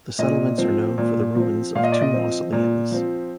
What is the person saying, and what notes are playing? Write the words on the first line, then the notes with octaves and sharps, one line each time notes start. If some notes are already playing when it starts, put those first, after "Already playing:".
The settlements are known for the ruins of two mausoleums.
A#2 D#5
F3 C4
A#2
F3 C4
A#2 F5
D#5
D5
D#5
F3 C4
A#2
F3 C4